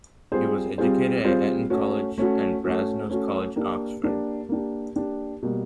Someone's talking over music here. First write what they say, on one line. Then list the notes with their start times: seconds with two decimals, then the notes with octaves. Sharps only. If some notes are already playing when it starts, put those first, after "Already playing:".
He was educated at Eton College and Brasenose College, Oxford.
0.32 G3 C4 F4 G#4 C5
0.78 G3 C4 F4 G#4 C5
1.24 G3 C4 F4 G#4 C5
1.70 A3 C#4 F#4
2.18 A3 C#4 F#4
2.64 A3 C#4 F#4
3.10 A3 C#4 F#4
3.56 A#3 D4 G4
4.03 A#3 D4 G4
4.49 A#3 D4 G4
4.96 A#3 D4 G4
5.42 B2 G3 A#3